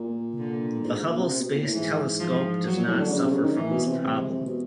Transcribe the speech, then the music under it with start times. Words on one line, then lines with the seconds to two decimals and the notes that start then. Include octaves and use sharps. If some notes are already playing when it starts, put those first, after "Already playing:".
The Hubble Space Telescope does not suffer from this problem.
Already playing: A#2
0.39 D3
0.84 G#2
1.06 A#2
1.18 C3
1.29 C3
1.40 B2
1.52 A#2
1.63 A2
1.74 G#2 E3
2.19 F3
2.65 F#3
2.75 A#2
2.87 A2
2.99 D3
3.10 C#3
3.21 C3
3.32 C#3
3.44 D#3
3.55 E3
3.71 B2
3.86 C3
4.01 G#3
4.45 B2